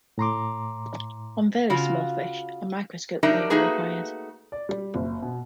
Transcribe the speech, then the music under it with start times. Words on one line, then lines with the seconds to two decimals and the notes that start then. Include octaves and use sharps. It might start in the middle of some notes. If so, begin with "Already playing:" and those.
On very small fish, a microscope may be required.
0.18 A2 A#5 C6 D6
1.70 C#3 F4 F#4
3.23 F#3 D4 D#4 G4 A#4 E5
3.50 A3 A#3 D#4 F#4 G#4 B4
4.52 D5
4.69 G3
4.95 F#1
5.22 B2